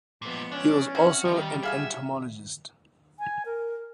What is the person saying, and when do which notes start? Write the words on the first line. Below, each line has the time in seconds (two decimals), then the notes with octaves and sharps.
He was also an entomologist.
0.22 G2 A#2 F3 G#3 B3
0.52 C#4 D4
0.95 C3 F#4 E5 F#5 F6
1.25 D#3 G3
1.63 F#4 G#4 E5 F5 G#5
3.19 G#5
3.45 A#4